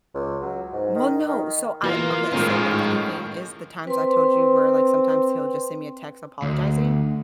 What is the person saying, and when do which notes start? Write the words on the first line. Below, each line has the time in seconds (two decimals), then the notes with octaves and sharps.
Well, no, so I Okay, so the funny thing is the times I told you where like, sometimes he'll just send me a text apologizing?
0.15 C#2
0.41 F#3
0.73 G#2
0.96 D#3
1.28 D#3
1.84 E3 A#3 F4
2.32 A2 D#3 G#3 C#4 D#4
3.87 C4 B4 C6
6.42 D2